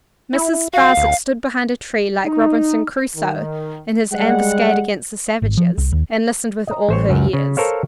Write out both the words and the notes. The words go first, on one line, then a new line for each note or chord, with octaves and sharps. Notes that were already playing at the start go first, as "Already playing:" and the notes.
Mrs. Sparsit stood behind a tree, like Robinson Crusoe in his ambuscade against the savages, and listened with all her ears.
E4
F#4 F5
D2
D#4
D#3
G3 G#3 F#5
G#1
F3
C2
D#2
D#5 A#5
A1 C5 C#5
C#2 F#2
C#3
A4 A#4 C5 C#5 F5